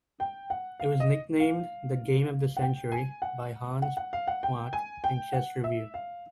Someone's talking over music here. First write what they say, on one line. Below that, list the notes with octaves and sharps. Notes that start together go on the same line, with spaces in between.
It was nicknamed "The Game of the Century" by Hans Kmoch in "Chess Review".
G5
F#5
F5
D#5
F5
F#5
G5
G#5
F#5
F#5
F#5
F5
F#5
G5
G#5
G5
F#5
E5
F5